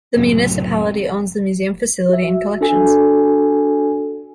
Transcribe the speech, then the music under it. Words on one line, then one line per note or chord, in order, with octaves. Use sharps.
The municipality owns the museum facility and collections.
C#2 F#2 A2 C3
F#4 E5
D4 F#4 A4 G#5